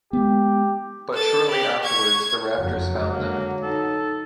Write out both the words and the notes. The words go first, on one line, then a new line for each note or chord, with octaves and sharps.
But shortly afterwards, the raptors found them.
G#3 B3 G4
A4 A6
G4 D5
C#6 G#6
F#1 F2 F#3
D3 G#3 A#3
D#4 A4